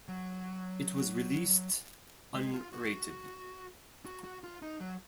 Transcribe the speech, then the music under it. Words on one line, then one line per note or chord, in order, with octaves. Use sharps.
It was released unrated.
F#3
G#3
F4
F#4
F#4
F#4
F4
D#4
F#3